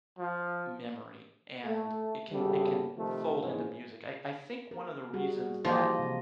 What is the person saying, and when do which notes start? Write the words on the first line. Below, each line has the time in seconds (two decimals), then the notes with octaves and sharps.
memory, and it can it can fold into music. I I think one of the reasons that
0.19 F3
1.64 A3
2.32 G#1 C#3 G3 B3 G4 A4
2.96 C3 D#3 F3 A3
3.41 G#2 E3 F3 G#3 C#4
4.71 A#4
5.13 G3 F#4 G#4
5.65 E3 F3 A#3 F4 G4 D#5
5.99 C3